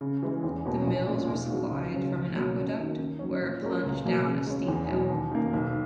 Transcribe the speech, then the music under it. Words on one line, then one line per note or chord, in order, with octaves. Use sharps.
The mills were supplied from an aqueduct, where it plunged down a steep hill.
C#3
E3 G#3
E2
B2 A#3 C#4 F#4
A#1
A#2 G#3 C#4
B1
B2 G#3 C#4 F#4
C#2
C#3 F#3
C#2
B2 F#3 A#3
F#2
D#3 A#3
D#3
F#3 C#4
A#2
G#3 C#4 F#4 A#4
C#2
B2 F#3 A#3
C#3
G#3 C#4
E2
B2 F#3
D#2
D#3 A#3
B1